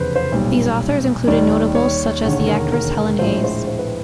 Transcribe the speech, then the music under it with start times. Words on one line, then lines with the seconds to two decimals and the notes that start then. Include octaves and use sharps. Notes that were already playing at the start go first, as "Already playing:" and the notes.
These authors included notables such as the actress Helen Hayes.
Already playing: F1 E2 C#3 F3 A3 B4 C5
0.15 C5
0.32 B1 A#2 G3
1.27 D#2 D#3 G3 D5
1.75 C#5
2.23 E1 D#2 D3 C#5
2.47 A#4
2.72 A#4
3.19 A#1 A2 F3 G#3 C5
3.44 C5
3.67 C5
3.79 B4